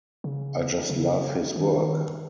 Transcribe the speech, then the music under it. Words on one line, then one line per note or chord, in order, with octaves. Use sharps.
I just love his work.
C#3
C#3
D#3